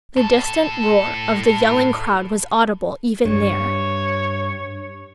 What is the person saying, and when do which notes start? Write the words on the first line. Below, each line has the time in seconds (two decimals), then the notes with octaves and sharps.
The distant roar of the yelling crowd was audible even there.
0.16 A2 A4
3.25 G2 C#5